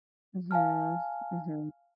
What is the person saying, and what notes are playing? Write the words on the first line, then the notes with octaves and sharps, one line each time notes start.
Mhm. Mhm.
F5 G#5 A5 F6